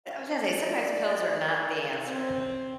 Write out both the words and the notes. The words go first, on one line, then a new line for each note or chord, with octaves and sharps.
I was gonna say, sometimes pills are not the answer.
D5
C4